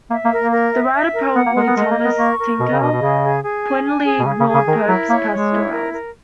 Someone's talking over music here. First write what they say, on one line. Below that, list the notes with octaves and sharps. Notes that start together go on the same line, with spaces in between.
The writer, probably Thomas Tickell, pointedly ignored Pope's pastorals.
A#3 E5
A#3
A#4
A#3
A#4
E5
E5
A#4
B3 F#5
A#3
G#3 A#4
B3
G#3 D#5
A#3
A#4
B3
A#3 C#6
A#4
B2 D#5
C#3
B2 D#5
B2
C#3 G#4
G#4
G#4
G#5
G#5
G#4
B2
C#3 G#4
C#3
G#4
C#3
D#3 A#4
F#3 E4
A#3 C#5
G#3 C#5
E4
A#4
A#4